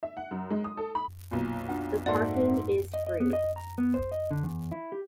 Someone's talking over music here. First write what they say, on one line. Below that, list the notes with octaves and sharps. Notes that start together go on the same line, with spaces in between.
The parking is free.
E5
F#5
F#2
G#3
D#6
A4
B5
B1 A#2
D4 F4 F#5
G#2 A#3 F#4 A4 D5 E5 F#5 C6
D#5
D#5
B3
D#5
A#5
B3
C5
D#5
D3
E2
E4
G4